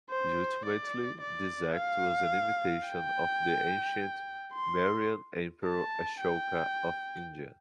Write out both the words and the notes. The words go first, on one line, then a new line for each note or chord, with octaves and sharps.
Ultimately, this act was an imitation of the ancient Mauryan Emperor Ashoka of India.
C5
D5
D5
F5
G5
C6
A5
G5